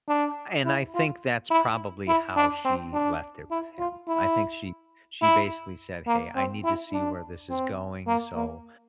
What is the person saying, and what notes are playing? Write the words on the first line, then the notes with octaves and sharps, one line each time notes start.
And I think that's probably how she left it with him. I think she she basically said, "Hey. I need to see where this is going, so
D4
E4
F4
E4
E4
D4
C4
D4
E4
F4
E4
E4
A#3
C4
E4
D4
C4
A#3
A#3